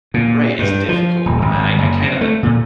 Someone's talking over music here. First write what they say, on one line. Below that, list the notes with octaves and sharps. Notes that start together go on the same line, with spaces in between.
Right, it's difficult, and I I kinda
A#2
G2
F3
D#1
G#1
F#1
C3
A3
A#2